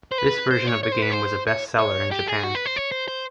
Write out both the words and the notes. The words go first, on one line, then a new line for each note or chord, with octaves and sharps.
This version of the game was a bestseller in Japan.
C5
B4
C5
C#5
C#5
C5
B4
C5
C#5
C#5
G4
G#4
F#4
B4
C5
C#5
C5
C5